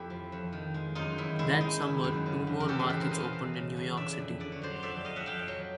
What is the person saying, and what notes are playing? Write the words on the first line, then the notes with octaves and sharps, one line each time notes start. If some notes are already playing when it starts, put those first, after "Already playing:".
That summer, two more markets opened in New York City.
Already playing: F2 E4 G4
F3
F2
D#3
G#3
F#2 D#4 F4
D#3 E4
G#3 E4
G#3 D#4
D#3 E4
F#2
C#3
E2
A#4
E3 G4 A4
G#4 A#4
E2 A4 B4
A#4 C5
E2 D#5 F5
E3
C#3
E2
D3 D5 E5
F2
D3 D5
C#5
F#3 C5 D5
F2 D5 E5
F2 D#5 F5
E5 F#5
F2 F5 G5
F#3